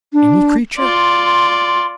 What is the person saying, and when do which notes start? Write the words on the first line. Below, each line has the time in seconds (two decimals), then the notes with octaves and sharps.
"Any creature?"
0.13 D4
0.78 F4 D5 C6